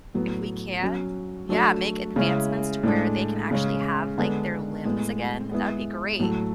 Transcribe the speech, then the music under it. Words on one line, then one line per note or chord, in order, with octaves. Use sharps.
if we can Yeah, make advancements to where they can actually have, like, their limbs again, that would be great.
A2 F#3 B3
F#3 C#4 F#4
F#3 A3 D4 F#4
C#3 G#3 C#4 E4
A2 G#3 D4
C#3 G#3 C#4
D3 G#3 B3 D4
A2 G#3 B3
G#3 B3 E4 G#4
A2 F#3 A3